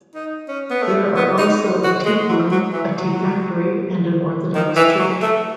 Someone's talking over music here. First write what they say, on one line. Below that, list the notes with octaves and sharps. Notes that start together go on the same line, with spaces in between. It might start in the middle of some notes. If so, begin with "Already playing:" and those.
There are also a tea farm, a tea factory and an Orthodox church.
D#4
C#4
B3
A3
B3
D#4
F#4
G#3
F#3
F#3
E3
F#3
D#3
E3
F#3
A3